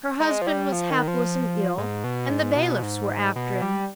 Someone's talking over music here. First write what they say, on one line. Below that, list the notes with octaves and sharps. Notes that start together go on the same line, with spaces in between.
Her husband was helpless and ill, and the bailiffs were after him.
G#3
F3
G3
F3
D#3
F3
G#2
B2
G#2
B2
G#2
B2
G3